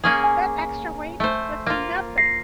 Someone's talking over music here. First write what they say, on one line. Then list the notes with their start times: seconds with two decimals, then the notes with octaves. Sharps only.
that extra weight was nothing.
0.04 A#3 C#4 G#4
0.24 G#5
1.20 A3 C5
1.66 A#3 F4
2.18 A#6 C7